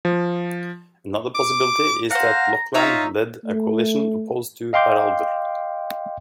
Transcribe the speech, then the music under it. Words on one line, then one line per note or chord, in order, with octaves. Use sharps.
Another possibility, is that Lochlann led a coalition opposed to Haraldr.
F3
D6
C5 F5 F#5 A#5
D#4 F4 C#5 E5 A#5
A3
D#5 F5 G5 C6 D6 G6